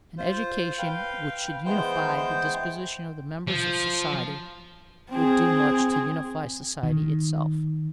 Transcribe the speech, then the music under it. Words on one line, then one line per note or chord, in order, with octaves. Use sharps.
An education which should unify the disposition of the members of society would do much to unify society itself.
F4 C5
B4 F5 G5
E3 G#3 B3 C5 G5 G6
F3
C4 G#4
D#3